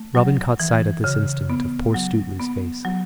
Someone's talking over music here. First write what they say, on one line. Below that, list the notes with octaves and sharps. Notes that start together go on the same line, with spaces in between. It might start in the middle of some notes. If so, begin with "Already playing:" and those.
Robin caught sight at this instant of poor Stuteley's face.
Already playing: A3
F#3
E3
C#3
B3
F#3
B3
F#3